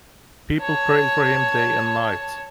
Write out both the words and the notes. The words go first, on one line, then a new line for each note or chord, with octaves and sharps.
People prayed for him day and night.
C#5 A5